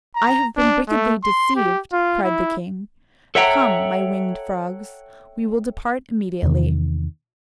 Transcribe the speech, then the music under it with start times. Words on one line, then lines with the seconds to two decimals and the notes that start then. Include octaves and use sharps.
"I have been wickedly deceived!" cried the king; "come, my winged frogs, we will depart immediately."
0.16 A#5
0.57 D4
0.89 A3
1.24 C6
1.56 G4
1.93 F4
2.24 E4
3.35 A4 C#5 E5 F#5 G5 A#5
6.43 E2 C3 D#3